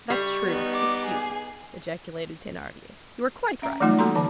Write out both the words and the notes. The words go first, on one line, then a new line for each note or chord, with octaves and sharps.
"That's true, excuse me!" ejaculated Thenardier, "you are quite right."
G3 C#6
B3 D#4
D6
G#4
C#4 E5 A#5
E3 F#3 G3 A3 D#4 F4
G3 A#3 F#4 A4 A#5 C6
D3 E3 A5 D6